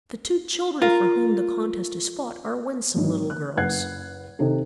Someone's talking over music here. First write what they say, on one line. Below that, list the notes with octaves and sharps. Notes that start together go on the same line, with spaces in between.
The two children for whom the contest is fought are winsome little girls.
F4 A#4
G#1 F#3 D#4
F#6
F#1 B4 F#5 F#6 G#6 C7
C3 D#3 D#4 A4